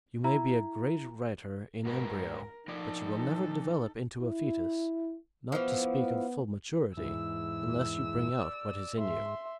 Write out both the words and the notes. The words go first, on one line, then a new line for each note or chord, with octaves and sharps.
You may be a great writer in embryo, but you will never develop into a fetus, not to speak of full maturity, unless you bring out what is in you.
E4 A#5
G#2 F#4 A#4 B4
F3 D#4 A4 A#4 D5
E4
E3 F3 B3
E2 G#2 E4 E6
D5
G#2 E5 C6